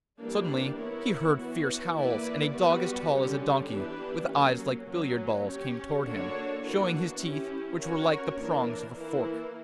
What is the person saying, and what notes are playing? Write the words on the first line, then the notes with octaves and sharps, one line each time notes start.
Suddenly he heard fierce howls, and a dog as tall as a donkey, with eyes like billiard balls, came towards him, showing his teeth, which were like the prongs of a fork.
E3 G3 A#3 D4
B3 E4 A#4 C#5
E3 B3 F#4
E3 A#3 E4 B4 D5
G3 B3 F#4 B4
D3 G3 C#4 G4
E3 B3 D4 G4 B4
F#3 A#3 C#4
F#3 A#3 C#4
C#4 G4 C#5
D3 A#3 D4 F#4 C#5
E3 A#3 D4 F#4
C#4 E4 G4
C#4 F#4 A#4 C#5
E3 A#3 D4 A#4
E3 A#3 E4 A#4